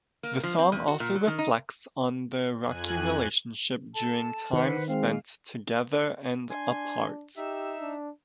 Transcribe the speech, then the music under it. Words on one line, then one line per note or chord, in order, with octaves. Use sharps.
The song also reflects on their rocky relationship during times spent together and apart.
A#3
F3
C4
E2
F#4
A#2
F#3
D#3
D#4
F2 G#5 F#6
A4 A5
D#3 B4 C5 F#5
G#3 C4 F5
D4 G#5 C6
D#4 G4 E5 E6
D4